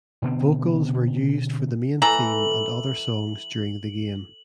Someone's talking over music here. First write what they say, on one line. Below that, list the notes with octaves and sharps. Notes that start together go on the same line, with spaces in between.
Vocals were used for the main theme and other songs during the game.
B2 D3 B3 C4
E3 A4 A#5 F#7